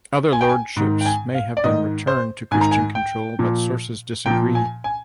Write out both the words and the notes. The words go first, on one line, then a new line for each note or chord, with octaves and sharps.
Other lordships may have been returned to Christian control, but sources disagree.
G#5
G5
G#5
G#2 D#3
G5
G#5
F5
D5
G#2 D#3 D#5
C5
G#2 D#3 G#5
A#5
G#5
G5
A#2 F3
A#2 F3 G5
G#5
G#5